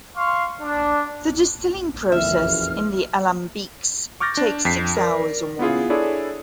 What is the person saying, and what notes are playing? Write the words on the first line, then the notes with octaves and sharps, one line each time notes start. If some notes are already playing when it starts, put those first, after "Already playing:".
The distilling process in the "alambiques" takes six hours or more.
F5 C6 C#6
D4
F#1 F2 E3 E5 F6
C#6 D6 F6 G6 A6 A#6
D4
F2 B6 C7
A#4 D5
B3 E4 F4 G#4
D4 E4 G#4 A4 C#5 D5